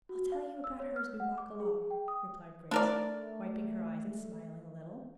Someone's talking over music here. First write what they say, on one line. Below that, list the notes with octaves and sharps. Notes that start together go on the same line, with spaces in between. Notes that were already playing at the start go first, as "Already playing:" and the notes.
"I'll tell you about her as we walk along," replied Grace, wiping her eyes and smiling a little.
F#4
F5
E6
C#5
F6
F#5
D6
G#4
G5
D#6
A3 D4 A#4 D5